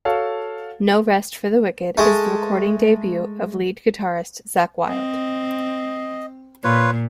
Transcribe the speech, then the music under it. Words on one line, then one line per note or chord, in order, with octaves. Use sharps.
"No Rest for the Wicked" is the recording debut of lead guitarist Zakk Wylde.
F#4 A4 C#5 F5 A5
G#3 A3
C4 D#5
A#2 F4 B4 C#5